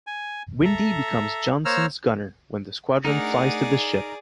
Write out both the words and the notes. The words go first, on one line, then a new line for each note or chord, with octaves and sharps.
Windy becomes Johnson's gunner when the squadron flies to the ship.
G#5
A4 E5 A#5
A#3 C5 C#5 A#5 E6 F6
A3 D4 D#4 G#4 A#4 D5 F#5